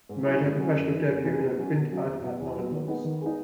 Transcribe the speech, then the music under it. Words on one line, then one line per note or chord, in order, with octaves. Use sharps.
She made her professional debut in a print ad at nine months.
G#2
F#3 C#4 E4
G#2
F#3 C#4 E4
F#2
E3 G#3 D#4
F#2
E3 G#3 D#4
B2
F#3 C#4
B2
F#3 C#4
E2
B2 F#3 B3
E2
B2 F#3 B3
D#3
G#3 B3 D#4
D#3
G#3 B3 D#4